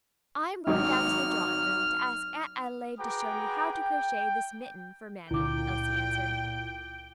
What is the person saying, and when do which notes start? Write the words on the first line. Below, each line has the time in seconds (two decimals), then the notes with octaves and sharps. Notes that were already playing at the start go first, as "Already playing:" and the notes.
"I am going down to the drawing-room to ask Aunt Adelaide to show me how to crochet this mitten for mammy," Elsie answered.
0.67 G#1 F#3 F6
2.99 F#4 G#4 B4 G5 A#5 D6
3.72 G5
5.31 C#2 A#2 D3 E4 G5 D6